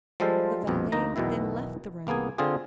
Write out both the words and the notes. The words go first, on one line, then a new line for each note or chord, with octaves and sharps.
The valet then left the room.
F3 G3 G#3 F4 A4 C5
A#1 F2 B2
D2 A#3 D#4 A#5
B1 E2 B2 D#3 E4
C2 A#3 B3 G#4 G#5
D3 C4 F4 G#4